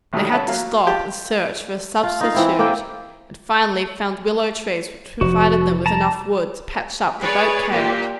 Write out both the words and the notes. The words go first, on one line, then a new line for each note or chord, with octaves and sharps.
They had to stop and search for a substitute, and finally found willow trees, which provided them with enough wood to patch up the boat-carriage.
A1 A2 D#3 F#3 G3
C#4 E5 A5 B5
F#3 A#3 F5
F4 G4 G5 A5
F4
D#4 F4 F5
E3 C4 E4
A#3 C4 A4 G5
F1 F3 F#4
A5 A#5
G#4 B4 C#5 D5
A#2 A#3 G4